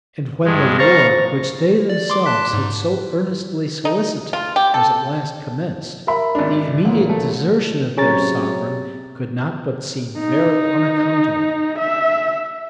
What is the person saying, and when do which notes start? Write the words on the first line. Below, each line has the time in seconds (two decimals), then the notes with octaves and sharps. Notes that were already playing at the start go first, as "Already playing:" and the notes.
And when the war which they themselves had so earnestly solicited, was at last commenced, the immediate desertion of their sovereign could not but seem very unaccountable.
0.44 G2 G#3
0.79 C5 F5 A#5 C#6 A6 A#6
1.89 D5
2.10 C6 D6
2.26 A5 F#6 B6
2.53 G#2
3.85 D#4
4.33 F4
4.56 G4
4.74 A4
6.07 A#4 E5 B5
6.35 G#1 D4
6.85 A1 A#2 A#3
7.09 A3
7.98 C3 F#3 C#4 G#4 C#5 A#5 A6
10.19 D#4
11.78 E5